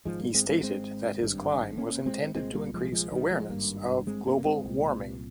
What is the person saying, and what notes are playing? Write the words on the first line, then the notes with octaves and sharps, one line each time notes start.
He stated that his climb was intended to increase awareness of global warming.
G#1 G#2 F3 G#3
G3 A#3
G#3 C4
G#3 C4
G#3 C4
G#1 G2
A#3 C#4
G#3 C4
C2 A#2 G#3 C4
G3 A#3
F3 G#3
F3 G#3
D#3 G3
F3 G#3
G#1 G2 G3 A#3
G#3 C4
A#3 C#4
A#3
G#3 C4
C2 A#2